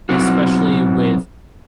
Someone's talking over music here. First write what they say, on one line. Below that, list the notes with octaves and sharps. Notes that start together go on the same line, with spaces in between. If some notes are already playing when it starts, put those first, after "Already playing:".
especially with
B2 F#3 C4 F#4